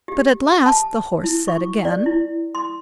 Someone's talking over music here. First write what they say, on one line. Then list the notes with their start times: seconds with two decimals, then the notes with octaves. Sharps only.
But at last, the Horse said again.
0.08 G4
0.66 A5
1.24 E4
1.48 C#6
1.85 D5
2.06 E4
2.55 C6